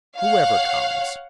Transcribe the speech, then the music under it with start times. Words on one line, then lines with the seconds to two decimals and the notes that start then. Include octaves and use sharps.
Whoever comes.
0.17 C#5 F5 F#5